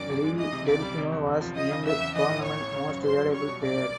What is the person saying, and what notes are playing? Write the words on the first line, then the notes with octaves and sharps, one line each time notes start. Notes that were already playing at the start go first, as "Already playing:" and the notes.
Lee Delfino was named Tournament Most Valuable Player.
Already playing: F#2 D#3 D5 D6
G#1
G#3
E3 D#5 D#6
C3
C#2 D5 D6
G3
C3
E2
F#1
F3
F3 D#5 D#6
C#3
E2 E5 E6
E2
E3 D#5 D#6
A2
A1 C#5 C#6
A1
C#3
F#2
G1 C5 C6
F#3
G3 C#5 C#6
B2
B1 D5 D6
A#3